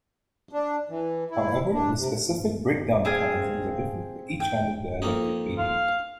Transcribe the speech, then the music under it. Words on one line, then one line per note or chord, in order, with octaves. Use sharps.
However, the specific breakdown mechanisms are different for each kind of dielectric medium.
D4
E3
E4
D4
C3
C4 G#4 F5 G#5
G5
F2 A#3 D#4
F5